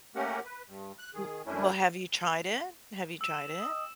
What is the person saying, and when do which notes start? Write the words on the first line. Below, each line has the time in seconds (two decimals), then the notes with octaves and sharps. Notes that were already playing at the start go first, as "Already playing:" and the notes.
W well, have you tried it? Have you tried it?
0.15 A3 A#3 C#4 G4 A#4 F#5
0.45 B4
0.67 G2
0.99 F#6
1.14 D#3 G#4
1.46 F#2 A3 C#4 D4 E4
3.21 E6 E7
3.60 D#5 G5 D#6